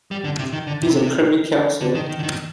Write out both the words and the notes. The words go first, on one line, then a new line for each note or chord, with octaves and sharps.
He is a Privy Counsellor.
G3
D3
C3
D#3
D3
C3
D3
D#3
D#3
D3
D#3